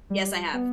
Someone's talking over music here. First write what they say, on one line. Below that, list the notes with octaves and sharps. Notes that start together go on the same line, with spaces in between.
Yes, I have.
G3
B3